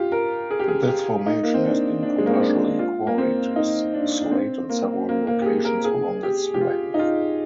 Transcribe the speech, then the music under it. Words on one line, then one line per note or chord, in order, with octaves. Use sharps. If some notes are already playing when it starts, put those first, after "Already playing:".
This formation has been commercially quarried as slate in several locations along its length.
Already playing: F4 G4
A#4
G#4
G4
G#4
G4
D#4
A#3
C4
D4
D4
G#3
A#3
C4
D4
F4
A#3
C4
D#4
D4
D4
C4
A#3
A#3
A#3
G4
G#4
A#4
G#4
G4
G4
F4
D#4
F4